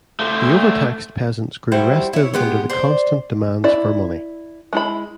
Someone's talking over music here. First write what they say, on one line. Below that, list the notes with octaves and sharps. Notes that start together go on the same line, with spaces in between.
The over-taxed peasants grew restive under the constant demands for money.
A3 C5
G3 E4 F#4 C5
E4 C#5
G#3 B3 G4
C5 D5
E4 D5
G#3 E4 B5